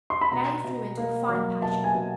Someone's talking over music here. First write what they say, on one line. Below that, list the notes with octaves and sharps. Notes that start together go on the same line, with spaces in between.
Mary flew into a fine passion.
C6
B5
B2 A#5
B2
A#3
F#3
B2 A5
G#5
B2